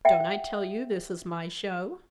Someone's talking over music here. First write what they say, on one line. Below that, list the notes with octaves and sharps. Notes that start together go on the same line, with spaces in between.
Don't I tell you this is my show?
E5 F#5 G5